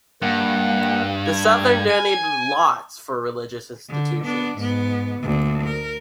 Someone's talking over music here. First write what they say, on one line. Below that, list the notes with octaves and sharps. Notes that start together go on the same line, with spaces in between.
The Southern donated lots for religious institutions.
G2 A#3 F#5
G#6
G#5
D3
B3 D4
G#2 B3
D2 A#2
A#4